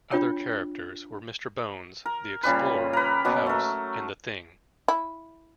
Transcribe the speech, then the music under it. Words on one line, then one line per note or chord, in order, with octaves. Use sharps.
Other characters were Mister Bones, the Explorer, House, and the Thing.
D4 F4 C#5 G5
A#4
A#2 C#3 G3 B4
A#4 B4
B2 F#3 A#3 B3
A3 A#4
E4